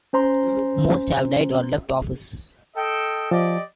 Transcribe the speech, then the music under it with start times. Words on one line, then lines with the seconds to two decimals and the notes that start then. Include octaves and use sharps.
Most have died or left office.
0.13 C#4 C5 A#5 C6
2.76 A4 D#5 G5
3.31 F3 G4 D5 D#5